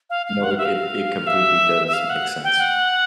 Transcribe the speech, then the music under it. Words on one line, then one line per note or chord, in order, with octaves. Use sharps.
No, it it it completely does make sense.
F5
F5
F#5
F5
E5
F5
E5
E5
F5
F#5
G5
F#5